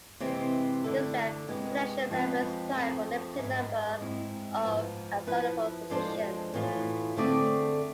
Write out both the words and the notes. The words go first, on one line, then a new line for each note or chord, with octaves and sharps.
Instead, potential members apply for the limited number of available positions.
C3 E3 G#3 C4
D3 A3 E4 A4
C3 G#3 B3
F3 G#3 C4 F4 B4
F3 A3 C4 G#4
G#2 G#3 B3
G#2 G#3 C4 E4
G#2 F3 B3
F3 B3 E4 B4
F3 G#3 D4 A4 C5
A2 E3 B3 F4
D3 A3 C4 G#4 D5